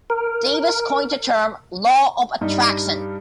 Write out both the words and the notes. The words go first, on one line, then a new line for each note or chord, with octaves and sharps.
Davis coined the term "law of attraction".
A#4
G2 G3 D#4